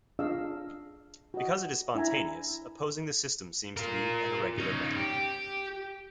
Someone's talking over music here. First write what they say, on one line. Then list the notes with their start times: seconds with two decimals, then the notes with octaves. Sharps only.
Because it is spontaneous, opposing the system seems to be an irregular manner.
0.19 D4 F4 G#4 D#5 F5 E6
1.34 F#4 D#5
1.95 D4 E4 E5 G#5 A#5
3.77 F4 A#4
4.58 C#4 D#4
4.96 G4